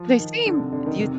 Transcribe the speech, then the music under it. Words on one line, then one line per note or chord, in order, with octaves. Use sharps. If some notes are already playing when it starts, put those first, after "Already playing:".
They seem you
Already playing: F3
D#3
D3
C3
D3
D#3
C3